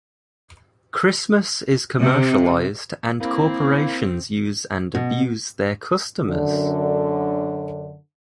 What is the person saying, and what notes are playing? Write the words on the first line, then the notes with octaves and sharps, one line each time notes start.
Christmas is commercialized and corporations use and abuse their customers?
C3
A#3 C4 E4
B2
F#2 D3